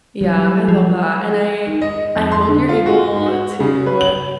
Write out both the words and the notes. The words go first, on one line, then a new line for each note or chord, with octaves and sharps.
Yeah, I love that and I I hope you're able to
F#3 G3
F3
D#3
D#5
F2
C6
D3
F4
F#4
G#2
F#4
C#3
B4
F#7